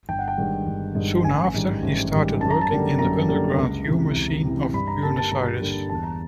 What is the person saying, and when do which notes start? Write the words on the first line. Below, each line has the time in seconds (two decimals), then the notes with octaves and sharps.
Soon after he started working in the underground humour scene of Buenos Aires.
0.09 G1 G5
0.19 F#5
0.28 G5
0.38 G2 D#3 G#3
0.67 G1
0.95 G2 D#3 G#3
1.24 A1 G#5
1.54 G#2 D#3 G3
1.83 A1
2.12 G#2 D#3 G3
2.41 F#2 A5
2.51 A#5
2.61 A5
2.70 D3 G3 A#3
2.99 F#2 A#5
3.29 D3 G3 A#3
3.57 C#2
3.86 C3 E3
4.15 C#2
4.44 C3 E3
4.74 G2 B5
4.88 A#5
5.02 D3 G3 A#3 A5
5.17 A5
5.31 G2 A#5
5.61 D3 G3 A#3
5.90 E2 A5
6.03 A#5